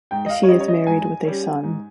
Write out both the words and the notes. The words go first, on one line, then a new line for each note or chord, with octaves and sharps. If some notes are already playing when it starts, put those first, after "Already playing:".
She is married with a son.
G#2 G5
D#5
F5
C#5
G3 C#4 D#5
C#5
D#5
G#2 G#5
G3 C#4
G#2